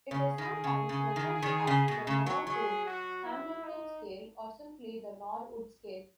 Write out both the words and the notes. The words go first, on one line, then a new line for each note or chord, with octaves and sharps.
It is sometimes referred to as the Norwood-Hamilton scale or simply the Norwood scale.
C#3 G#4
D#3
C#3
C#3
D#3
D#3
C#3
B2
C#3
F#3
F#3 G#4
F#4
E4
D#4